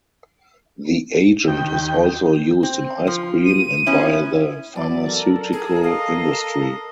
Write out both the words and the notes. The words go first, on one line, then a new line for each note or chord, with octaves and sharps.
The agent is also used in ice cream and by the pharmaceutical industry.
D#2 G5
C4
F3
D#7
B3 C#4 E4
E3 F#3 B3 D5
A4 A#4
G#4
D#5 F5